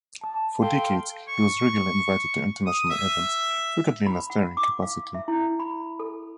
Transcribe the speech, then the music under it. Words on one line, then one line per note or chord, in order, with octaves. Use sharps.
For decades he was regularly invited to international events, frequently in a starring capacity.
A5
A4 F5 G5 C6
C#6
D#6
E5
B5
F#5
D6
F5
E5
E4
B5
A4